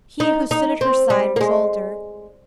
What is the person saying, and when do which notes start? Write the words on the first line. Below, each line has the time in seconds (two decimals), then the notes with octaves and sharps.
He who stood at her side was older.
0.20 D#4
0.51 D#4
0.81 C4
1.10 G3
1.36 A#3
1.41 G#3